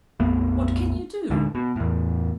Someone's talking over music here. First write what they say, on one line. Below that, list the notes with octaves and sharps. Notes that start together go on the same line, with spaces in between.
What can you do?'
A#1 F2 A3 B3
D2 G#2 D3
B2
E2 A2